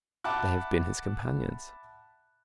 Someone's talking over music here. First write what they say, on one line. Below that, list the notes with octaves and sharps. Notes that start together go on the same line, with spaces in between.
They have been his companions.
E5 F#5 A5 B5 D6 F#6